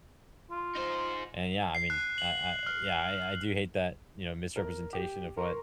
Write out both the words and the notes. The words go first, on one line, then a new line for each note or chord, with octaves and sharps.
and yeah, I mean, I I yeah, I I do hate that, you know, misrepresentation of what
F4
D#4 C5
C7
F#6
F#7
F6
A#4
G4
A#4 C6 C#6